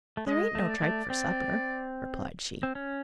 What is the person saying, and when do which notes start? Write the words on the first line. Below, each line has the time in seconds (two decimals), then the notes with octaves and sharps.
"There ain't no tripe for supper," replied she.
0.17 A3
0.27 G#3 D#5
0.55 A3
0.68 D5
0.82 A3
1.10 C4 D5
2.63 C4
2.75 C#4